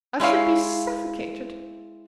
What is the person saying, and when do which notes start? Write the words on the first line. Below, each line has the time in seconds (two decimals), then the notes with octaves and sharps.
I should be suffocated.
0.20 G#3 E4 C#5 F5